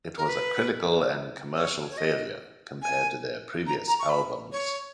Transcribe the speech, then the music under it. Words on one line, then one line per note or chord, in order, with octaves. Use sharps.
It was a critical and commercial failure compared to their previous albums.
A#4
B4
C#5
C#5
D#5
G#5
A#5
A#5
C#6
B5
C#5